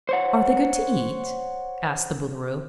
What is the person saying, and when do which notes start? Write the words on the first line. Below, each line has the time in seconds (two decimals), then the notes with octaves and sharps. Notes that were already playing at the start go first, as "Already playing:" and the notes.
"Are they good to eat?" asked the Boolooroo.
0.09 C5 C#5 F#5